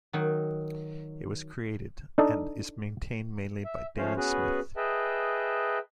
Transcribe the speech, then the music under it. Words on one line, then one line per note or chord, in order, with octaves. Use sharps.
It was created and is maintained mainly by Darren Smith.
D#3 F#3
D4 D#4 A4
E5
F3 A3 C#4 C5 C#5 F5
B3 C#4 F#4 G#4 B4
G#4 B4 D#5 E5 G5 A5